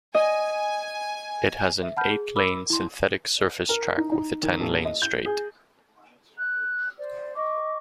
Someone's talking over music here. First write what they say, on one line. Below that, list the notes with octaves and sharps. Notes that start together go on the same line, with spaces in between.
It has an eight-lane synthetic surface track with a ten lane straight.
D#5 G#5
E5
F#5 A5 B5 F6 G6
G#4
A#4 B5 D6 E6
E4 C6
A#4
D#4
D#4
D#3
D#1
D#5
G6
G#4
F#6
C5 D5
D#5 C#6 D6